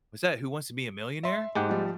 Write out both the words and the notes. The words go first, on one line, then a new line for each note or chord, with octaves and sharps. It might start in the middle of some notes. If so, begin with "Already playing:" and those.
was that, Who Wants to Be a Millionaire?"
E5 C6
G#2 G#3 G4 F#5
F3 G3